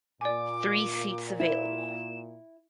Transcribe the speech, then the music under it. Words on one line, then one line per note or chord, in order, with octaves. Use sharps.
Three seats available.
A#2 D5 G#5 D6
E4 E7